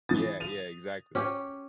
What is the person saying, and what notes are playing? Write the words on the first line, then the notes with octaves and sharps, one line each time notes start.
Yeah, yeah, exactly, like
E3 D#6 A6
D#7 F7
C#4 G4